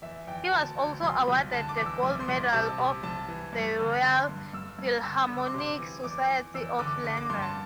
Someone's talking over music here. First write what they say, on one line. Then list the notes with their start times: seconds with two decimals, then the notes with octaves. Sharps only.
He was also awarded the Gold Medal of the Royal Philharmonic Society of London.
0.02 E2 E5
0.27 E2 G5
0.52 D2 A5
0.78 D2
1.03 C2 C6
1.28 C2
1.53 D3 A5
1.69 D6
1.77 E2
1.86 E6
2.03 C2 D6
2.20 C6
2.28 C2
2.36 D6
2.53 C3 A5
2.78 C3
3.03 C2 A5
3.28 E3
3.53 G2
3.79 D3
4.03 D3 C6
4.29 G2
4.54 G2 E6
4.79 G2
5.04 D3 E6
5.21 E6
5.29 D3
5.38 D6
5.47 C6
5.54 C3 D6
5.79 E3
6.04 E2 D6
6.29 E2
6.54 E2 E6
6.79 D3 D6
7.04 D3 D6
7.17 D6
7.30 G2 C6
7.42 A5